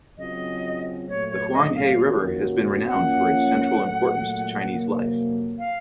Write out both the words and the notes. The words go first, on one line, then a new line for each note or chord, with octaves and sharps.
The Huang He River has been renowned for its central importance to Chinese life.
C#3 F#3 C4 F4 D#5
A#2 F#3 A3 C#5
C#5
D#5
F5
D#3 A#3 C#4 F#4
F#2 F3 A#3 C#4 F4 F#5
A#2 F#3 A3
F2 C3 F#3 A#3
F5